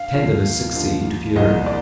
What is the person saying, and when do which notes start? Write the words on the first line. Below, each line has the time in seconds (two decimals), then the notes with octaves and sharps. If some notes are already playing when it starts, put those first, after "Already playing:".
Tenderness succeeded fury.
Already playing: F5
0.14 D#2 D3 F3
0.75 D#2 D3 F3
1.36 C2 A#2 F3 A#3 D#5
1.66 D5